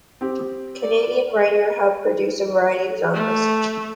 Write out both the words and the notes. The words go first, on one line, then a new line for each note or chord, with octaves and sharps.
Canadian writers have produced a variety of genres.
C4 G4
D5
A3